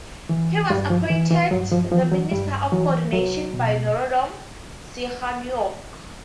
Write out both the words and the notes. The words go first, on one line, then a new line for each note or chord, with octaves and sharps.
He was appointed the Minister of Coordination by Norodom Sihanouk.
E3
G2 G3
F3
E3
E3
G2 F#3
F3
E3 F3
F#3
G2 G3
E3 F#3
C2 F#3
B2